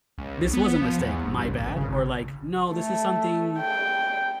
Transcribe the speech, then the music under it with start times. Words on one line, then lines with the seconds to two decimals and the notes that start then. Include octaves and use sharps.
this was a mistake, my bad," or, like, "No, this is something
0.18 C#2
0.41 B1
0.53 B3
0.70 B3
0.81 F3
0.98 E2
1.25 G1
1.43 C2
1.61 G#1
1.76 C#3
1.89 G#1
2.71 A3
3.59 G5